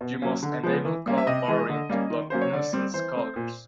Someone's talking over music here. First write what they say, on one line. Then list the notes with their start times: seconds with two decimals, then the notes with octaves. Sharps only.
You must enable call barring to block nuisance callers.
0.01 B2
0.22 F#3 A#3 C#4
0.43 D3
0.63 F3 G#3 B3
0.85 E3
1.06 G3 A#3 C#4
1.18 E5
1.27 C3 D#5
1.48 E3 G#3
1.69 D3
1.90 G3 A#3 C#4
2.11 D#3
2.30 F#3 A#3 C#4 C5
2.41 C#5
2.52 D3 D5
2.73 G3 C4
2.94 E3 C5
3.16 A3 C4
3.36 A#2